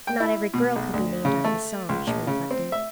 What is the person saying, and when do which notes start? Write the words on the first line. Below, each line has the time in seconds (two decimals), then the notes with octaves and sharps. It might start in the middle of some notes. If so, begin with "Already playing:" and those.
Not every girl could be named out of a song, she reflected.
0.07 G5
0.20 E4
0.54 B2
0.76 B1
0.93 D2
1.25 C#3
1.44 A3
1.89 C#2
2.07 A#1
2.27 C#3
2.51 C4
2.72 E5